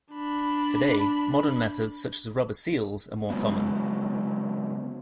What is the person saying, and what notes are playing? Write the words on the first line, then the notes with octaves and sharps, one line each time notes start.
Today, modern methods, such as rubber seals, are more common.
D4 B5
C#3 F#3 G#3 B3